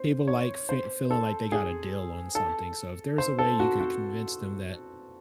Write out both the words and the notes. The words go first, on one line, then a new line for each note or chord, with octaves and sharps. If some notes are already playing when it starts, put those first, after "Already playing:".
people like, fee feeling, like, they got a deal on something, so if there's a way you could convince them that,
Already playing: C5
C#5
C5
A4
G#4
A4
C5
A4
F#4
F#4